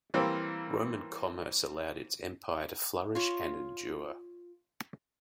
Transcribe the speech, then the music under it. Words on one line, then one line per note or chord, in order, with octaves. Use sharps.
Roman commerce allowed its empire to flourish and endure.
E3 G3 A#3 C4
F4 C#5